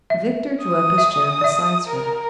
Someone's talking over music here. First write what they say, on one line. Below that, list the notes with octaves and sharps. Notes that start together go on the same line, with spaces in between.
Victor drew up his chair beside her.
E5
D#6
E5
D5 E5
A#4